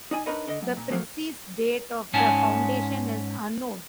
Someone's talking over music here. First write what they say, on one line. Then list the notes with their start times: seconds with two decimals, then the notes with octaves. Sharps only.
The precise date of the foundation is unknown.
0.11 D#4 D5 G#5
0.26 D4 D#4 A#4 B4 C#5 D#5
0.47 D3 D#5
0.62 F#2
0.77 A#2
0.90 F3 F#3 A3 A#3
2.13 G#2 C#4 F#5 G#5 A5